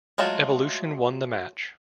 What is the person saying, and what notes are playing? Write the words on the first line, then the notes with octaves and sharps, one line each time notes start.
Evolution won the match.
F#3 G#3 A3 F4 F#4